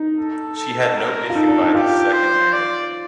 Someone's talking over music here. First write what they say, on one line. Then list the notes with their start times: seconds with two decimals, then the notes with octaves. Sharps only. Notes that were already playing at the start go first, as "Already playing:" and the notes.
She had no issue by this second marriage.
Already playing: D#4
0.18 A4
0.57 A4
0.97 A#4
1.30 F4
1.35 D#4 A4
1.48 D4
1.61 D#4
1.74 F4 G4
2.13 C5
2.53 D5